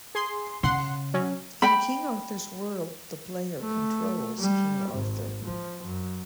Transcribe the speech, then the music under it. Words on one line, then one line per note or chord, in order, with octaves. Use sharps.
In "King Arthur's World", the player controls King Arthur.
G#4 C6
C#3 F#5 C6
F#3 C#4
G5 B5
A3
G3
G#1
F3
F#2